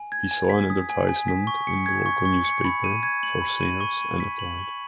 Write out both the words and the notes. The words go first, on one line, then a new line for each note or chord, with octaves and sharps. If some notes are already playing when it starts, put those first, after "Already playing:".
He saw an advertisement in the local newspaper for singers and applied.
Already playing: G#5
G#6
G#5
B6
D#6
G#5
G#5
B6
C#6
C#7
G#6
C#6
C#6
C#7
B5
D#7
G#6
F#7
B5
D#7
C#6
D#7
B6
F#7
C#6